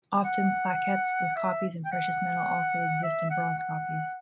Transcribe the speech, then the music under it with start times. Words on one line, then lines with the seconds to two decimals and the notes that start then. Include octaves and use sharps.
Often plaquettes with copies in precious metal also exist in bronze copies.
0.25 F#5
1.36 E5
1.85 G5
1.92 F#5
3.03 E5
3.30 F#5
3.58 F#5